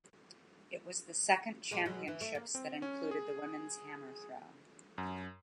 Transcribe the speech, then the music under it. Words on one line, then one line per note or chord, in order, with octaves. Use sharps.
It was the second championships that included the women's hammer throw.
A#2 G#3 A#3
B2 F#3 G#3
E3
A3
A#3
C4
C#4
G#4
F#2